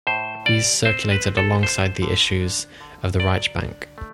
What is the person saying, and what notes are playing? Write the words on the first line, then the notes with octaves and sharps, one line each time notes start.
These circulated alongside the issues of the Reichsbank.
A2 C5
G3 D5
C4 C5
B4
C4
A4
D3 C5
D3
D4
D3
F#3 D5
D4
A3